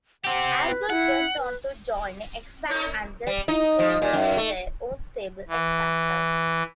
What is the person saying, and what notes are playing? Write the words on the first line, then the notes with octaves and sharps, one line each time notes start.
Albert went on to join X-Pac and Justin Credible in their own stable, X-Factor.
C4 G4 F#5
B4
E4 F#5
B4
G3
D#4
F3
A#2
F#2
A3
E3